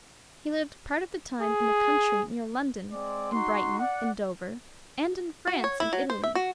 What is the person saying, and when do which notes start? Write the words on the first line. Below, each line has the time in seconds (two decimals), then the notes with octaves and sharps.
He lived part of the time in the country near London, in Brighton, in Dover, and in France and Italy.
1.41 G#4
2.92 G#3 C4 D5
3.32 D#4 F#4 C6
3.79 D5 F#5
5.47 F#4
5.64 C#5
5.80 E4
5.93 F#3
6.10 C5
6.24 E5
6.35 F#4